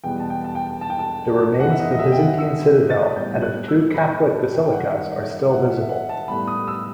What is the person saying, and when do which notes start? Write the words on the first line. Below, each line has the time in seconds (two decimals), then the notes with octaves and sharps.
The remains of a Byzantine citadel and of two Catholic basilicas are still visible.
0.04 E2 B2 G3 B3 G5
0.20 A5
0.30 G5
0.44 A5
0.55 G5
0.81 A5
0.90 G5
0.99 A5
1.60 F#2 E3 B3 F#5
1.71 E5
1.79 D#5
1.91 D#5
1.99 E5
2.12 G5
2.19 F#5
2.38 E6
2.90 A6
3.16 A2 G3 B3 G6
3.42 F#6
3.68 E6
3.94 B5
4.06 B5
4.14 A5
4.34 A5
4.52 G5
4.65 G5
4.72 F#2 D#3 G3 F#5
4.92 E5
5.11 D#5
5.30 E5
5.50 F#5
5.70 E5
5.81 E5
5.89 F#5
6.09 A5
6.28 A2 G3 B3 B5
6.47 D#6
6.68 E6